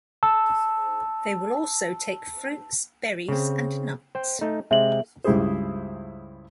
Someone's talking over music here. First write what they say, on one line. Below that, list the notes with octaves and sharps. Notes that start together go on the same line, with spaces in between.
They will also take fruits, berries, and nuts.
A5 E6
C#3 C4
C5 G5
A3 D#4
C3 G#3 C4 E5 F#7
C#2 G2 E4 G4 G#4 C5